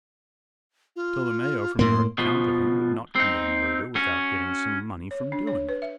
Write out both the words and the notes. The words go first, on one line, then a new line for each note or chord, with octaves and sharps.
Tolomeo, from your account of him, would not commit a murder without getting some money from doing it.
F4
A2 A#3 C6
B2 F3
C4 D#4
C#4 F#4
C#5
D4
C#5
B4
E5